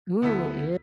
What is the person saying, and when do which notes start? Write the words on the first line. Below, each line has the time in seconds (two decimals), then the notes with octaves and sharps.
Ooh, yea
0.22 D2 B3 E4 A4 B6